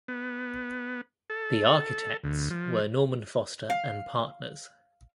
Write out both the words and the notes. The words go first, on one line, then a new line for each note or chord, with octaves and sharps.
The architects were Norman Foster and Partners.
B3
A4
D2
F3
F5